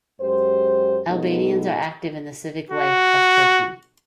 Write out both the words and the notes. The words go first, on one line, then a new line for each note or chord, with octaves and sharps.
Albanians are active in the civic life of Turkey.
F#2 G#3 G4 C5
G2 B2 G#3 B3 D#4 A4
F#4